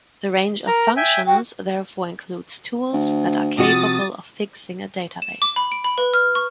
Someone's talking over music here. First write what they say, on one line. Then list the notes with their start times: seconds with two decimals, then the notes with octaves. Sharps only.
The range of functions therefore includes tools that are capable of fixing a database.
0.67 A#4 A#5
0.97 E5 G5 G#5
1.27 F#4 G5
2.93 D2
3.58 C3 F3 F#4 D#6 A6
5.22 E7
5.42 D6
5.56 B5
5.72 D7
5.84 B5
5.98 B4
6.14 F6
6.35 C#6